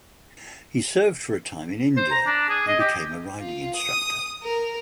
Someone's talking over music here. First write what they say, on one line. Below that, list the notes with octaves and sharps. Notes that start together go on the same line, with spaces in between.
He served for a time in India, and became a Riding Instructor.
C5
A#5
D4
G#4
D#5
G4
F4
D#6
A#4